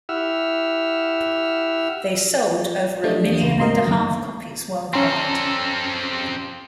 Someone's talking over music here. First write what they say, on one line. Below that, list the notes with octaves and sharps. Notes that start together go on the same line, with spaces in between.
They sold over a million and a half copies world-wide.
E4 G4 E5 F#5 E6 F6
A3 D4 G4 D#5
E2 G4
C#2
G#2 C4 F#4 A#4 D#5 C6
F#2 D3 D#3 A#3
C4 C#4 A4 A#5 C6